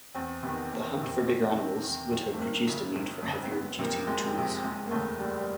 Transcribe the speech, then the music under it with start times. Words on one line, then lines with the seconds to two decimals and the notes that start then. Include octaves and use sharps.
The hunt for bigger animals would have produced a need for heavier-duty tools.
0.15 E2 C4
0.43 C3 D#3 B3
0.71 E2 A#3
0.99 C3 D#3 C4
1.27 E2
1.55 C3 D#3
1.83 E2
2.11 C3 D#3
2.33 A3
2.39 G#1 A#3
2.67 F#2 C#3
2.95 G#1
3.23 F#2 C#3
3.43 C4
3.51 F#1 B3
3.79 F2 C3 A#3
4.07 F#1 G#3
4.35 F2 C3
4.63 F#1 G#3
4.86 A#3
4.91 E2 C#3 A3
5.19 F#1 G3
5.38 G3